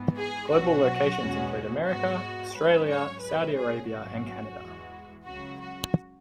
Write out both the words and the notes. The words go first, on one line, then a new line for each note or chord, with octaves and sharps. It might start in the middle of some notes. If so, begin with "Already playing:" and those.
Global locations include America, Australia, Saudi Arabia and Canada.
Already playing: G#2 E3 B3
G#4
B1 B2 F#3 C#4 F#4
E2 B2 G#3 C#4
G#2 G#3 B3 F#4
G#2 F#3 C#4 B4
C#5
B1 B2 G#3 C#4 B4
G#4
G#1 F#2 F#3 C#4 F#4
E2 E3 G#3
C#2 C#3 F#3 F#4
F#4